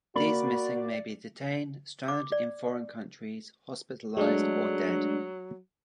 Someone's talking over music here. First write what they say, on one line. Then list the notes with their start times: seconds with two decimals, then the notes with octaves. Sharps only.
These missing may be detained, stranded in foreign countries, hospitalized or dead.
0.16 A#3 F#4 D5 B5
2.08 D6
2.32 D5
4.17 F#3 G#3 A3 D4